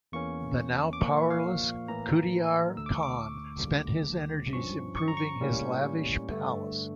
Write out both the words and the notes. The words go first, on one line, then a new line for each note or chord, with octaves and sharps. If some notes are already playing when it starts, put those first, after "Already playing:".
The now powerless Khudayar Khan spent his energies improving his lavish palace.
E2 E3 A#3 C#4 C#6
D6
A#2 F3 A#3 C#6
F5
A2 E3 A#3 A#5
D2 D3 A3 E6
D6
C#6
D6
D2 D3 G3 A#3
G2 F3 C#4 C#6
C#6
A#5
C#6
A2 G3 A#3 C#4
G2 D3 A3